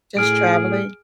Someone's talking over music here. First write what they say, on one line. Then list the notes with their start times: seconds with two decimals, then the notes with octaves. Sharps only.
Just traveling?
0.17 A2 G#4 F6 D7